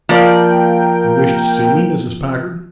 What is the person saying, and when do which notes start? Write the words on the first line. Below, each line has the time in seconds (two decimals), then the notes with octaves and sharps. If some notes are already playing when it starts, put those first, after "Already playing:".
"You wish to see me, Mrs. Packard?"
0.09 F3 A#3 A#4 D5 G5